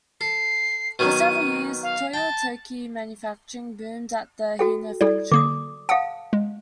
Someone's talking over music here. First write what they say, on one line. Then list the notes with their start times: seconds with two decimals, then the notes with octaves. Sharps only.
For several years, Toyo Tokei Manufacturing boomed at the Hino Factory.
0.21 A4 C7
0.99 B2 D#3 F#3 D#7
1.83 F5
2.14 G5 A5
4.59 F#4 A4 G5
5.01 G3 E4 A4 D5
5.32 D3 A#3 D6 D#6
5.89 F5 F#5 A5 D#6
6.33 G#3